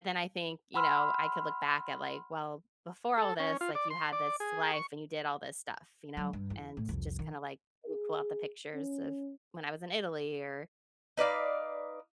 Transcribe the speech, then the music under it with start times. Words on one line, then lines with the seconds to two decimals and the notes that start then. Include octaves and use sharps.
then I think, you know, I could look back at, like, "Well, before all this, like, you had this life, and you did all this stuff," you know, and just kinda, like, pull pull out the pictures of when I was in Italy or,
0.74 F#5 G#5 B5 C6 E6 F6
3.18 A4
3.40 C#4
3.61 F4
3.75 D5
3.90 C6
4.12 D5
4.40 G#4
4.73 C#6
6.17 F#3
6.33 G2
6.50 E2
6.77 A2
6.89 C2 F2
7.19 D#3
7.87 G#4
8.74 C#4
11.17 D#4 B4 D5 F5